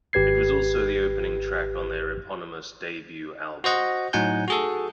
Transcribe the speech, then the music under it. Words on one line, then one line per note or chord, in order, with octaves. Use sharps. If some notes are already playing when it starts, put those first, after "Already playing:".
It was also the opening track on their eponymous debut album.
G#1 G4 B4 G#6 C7
F#4 C5 D#5 F#5
A2 F#3 D#4 F#5 G#5 G6
F#4 G#4 A4